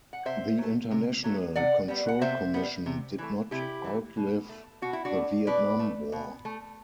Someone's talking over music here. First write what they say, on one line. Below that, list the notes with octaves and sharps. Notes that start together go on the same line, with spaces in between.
The International Control Commission did not outlive the Vietnam War.
F#5
C3 C5 E5
F#3 A3
C3
F#3 A3
C3 D5 F#5
G3 B3
F#5
C3 C5 E5
G3 B3
C3
E3 A3
C3 E4 G4
E3 A3
B2
A3
B2 F#4
E4
D4 F#4
A3
B2 B4 D5
A3
B2
A3